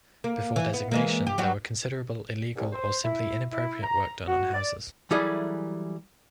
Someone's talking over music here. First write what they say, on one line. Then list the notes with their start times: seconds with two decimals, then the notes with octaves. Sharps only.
Before designation there was considerable illegal or simply inappropriate work done on houses.
0.24 A#3
0.56 E3
0.74 B3
0.91 E3 G#3 A#3
1.27 G4
1.38 F#3 G3 F#4
2.56 C2
2.72 C5
3.04 E4
3.51 E4
3.83 A#5
4.27 F#4
4.53 D5
5.11 E3 F#3 G3 E4 G#4 A4